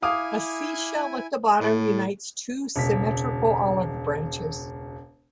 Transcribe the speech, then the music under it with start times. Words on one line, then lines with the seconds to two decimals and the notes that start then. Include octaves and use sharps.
A seashell at the bottom unites two symmetrical olive branches.
0.02 E4 F5 G#5 D6 D#6
1.60 A2
2.76 E1 C#2 B6